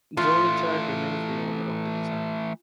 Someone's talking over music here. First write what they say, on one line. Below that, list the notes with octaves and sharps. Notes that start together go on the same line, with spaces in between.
Jo Richard remains the owner of the design.
E3 A3 F4